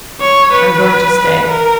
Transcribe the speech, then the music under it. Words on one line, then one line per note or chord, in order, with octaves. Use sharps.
"I'm going to stay."
C#5
B4
A#4